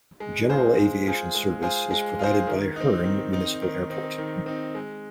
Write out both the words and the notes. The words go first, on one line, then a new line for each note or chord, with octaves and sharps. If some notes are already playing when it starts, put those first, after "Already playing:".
General aviation service is provided by Hearne Municipal Airport.
G#3
F4 G#4 C5
G#3
F4 G#4 C5
G#3
F4 G#4 C5
G#3
F4 G#4 C5
D#3
C4 D#4
D#3
C4 D#4
D#3
C4 D#4
D#3
C4 D#4
G#3